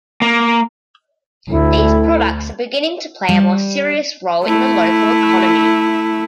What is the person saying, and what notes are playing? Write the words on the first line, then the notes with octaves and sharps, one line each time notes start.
These products are beginning to play a more serious role in the local economy.
A#3
D2 E4 A4
G3
A3 E4